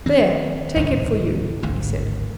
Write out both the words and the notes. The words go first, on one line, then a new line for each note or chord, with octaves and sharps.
"There, take it for you," he said.
D#3 C4
D1 C2 G#2 D#3
G#1 D2 A2